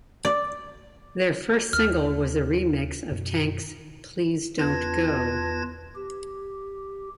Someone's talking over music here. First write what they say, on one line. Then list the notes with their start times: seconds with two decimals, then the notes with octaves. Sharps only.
Their first single was a remix of Tank's "Please Don't Go".
0.25 D5
1.73 D#2 F6
3.11 F#2 B2
4.59 E2 F4 B4 A5 G#6 A#6
5.95 G4